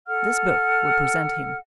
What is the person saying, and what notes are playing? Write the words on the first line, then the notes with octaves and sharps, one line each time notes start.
This book will present him.
A4 F#5 F6